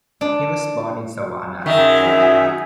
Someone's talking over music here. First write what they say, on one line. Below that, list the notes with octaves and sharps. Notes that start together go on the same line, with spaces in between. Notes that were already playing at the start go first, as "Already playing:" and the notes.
He was born in Savannah, Georgia.
D4
F#2 D#3 F#4 G#4 E5